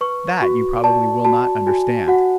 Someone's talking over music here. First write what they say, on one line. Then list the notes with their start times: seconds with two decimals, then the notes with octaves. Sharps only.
That you probably will not understand.
0.01 B4 C#6
0.42 F#4 C#6
0.84 D5 A5
1.25 F#4 A5
1.66 F#4 G#5
2.08 F#4 F#5